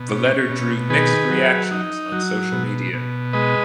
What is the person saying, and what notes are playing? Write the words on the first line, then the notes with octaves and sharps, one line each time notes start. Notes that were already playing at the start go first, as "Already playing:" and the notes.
The letter drew mixed reactions on social media.
Already playing: B2
C#4
B2
D#3 G#4 B4
F#3
D#4
F#3
B2
B2
G#3 B4 D#5